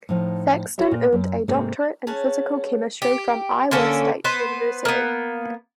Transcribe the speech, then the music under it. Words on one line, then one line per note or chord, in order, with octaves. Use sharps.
Thaxton earned a doctorate in physical chemistry from Iowa State University.
A2 F3 D#4
F#4 A4 C#5 E5
A#2
F#2
G#2 C3 A3 A#3 C4 A4
C#4 G#4 C#5 F#5 A5
G4
D3 A#3 C#4 A4
B3 B4 C5
A#3 B3